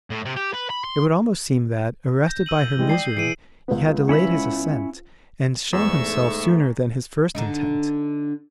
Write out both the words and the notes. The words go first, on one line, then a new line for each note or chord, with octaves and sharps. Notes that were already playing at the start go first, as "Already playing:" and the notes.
It would almost seem that, arrested by her misery, he had delayed his ascent, and shown himself sooner than his first intent.
A2
C3
G4
B4
B5
C6
G6 A#6
E6 D#7 F#7
E3 G3 G#3
D5 G5 D#6 C7
E3 G#4 C7 D7 D#7
C#2 B3
C#4 E4 B5
E2 G#2 A3 C#6 E6
D3 D4 D#4